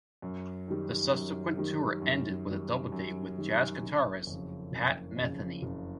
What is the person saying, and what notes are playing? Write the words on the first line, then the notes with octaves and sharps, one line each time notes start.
The subsequent tour ended with a double date with Jazz guitarist Pat Metheny.
F#2
D#3 G3
F#2
D#3 G3
F#2
D#3 G3
F#2
D#3 G3
F#1
F2 C#3
F#1
F2 C#3
F#1